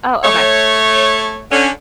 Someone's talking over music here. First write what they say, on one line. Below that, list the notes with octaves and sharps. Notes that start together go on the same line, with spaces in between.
Oh, okay.
A3 C#5
D3 C#4